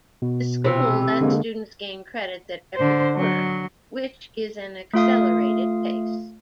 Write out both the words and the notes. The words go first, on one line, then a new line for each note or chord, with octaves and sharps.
The school lets students gain credits at every quarter, which is an accelerated pace.
B2
C3 E3
D3 G#3 A#3
D3 C5
F#3
A3 F4 F5 D#6